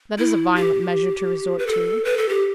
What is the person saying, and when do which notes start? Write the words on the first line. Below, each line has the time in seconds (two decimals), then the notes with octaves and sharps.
"That is a violent measure to resort to."
0.19 E4
0.56 G4
1.59 B4
1.67 A4
2.05 B4
2.18 A4
2.29 G4